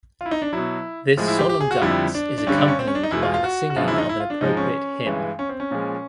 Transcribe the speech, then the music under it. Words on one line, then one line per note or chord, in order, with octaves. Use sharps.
This solemn dance is accompanied by the singing of an appropriate hymn.
F4
E4
D#4
D4
B2 F#3 E4
A2 F3 G#3
E4
G4
G4
G#4
F#4
F4
F2 D3 G3 E4
D4
D4
G2 D3 G3 C#4
D4
C#4
C4
C#4
D4
D#4
E2 B2 G#3 E4
F4
F4
F#4
F#4
F#2 D3 F3 G#3 F4
E4
D#4
E4
F4
D4
G#2 F3 G#3 D#4
C#4
G2 E3 G#3
C#4
C4
C#4
A#2 F3 G#3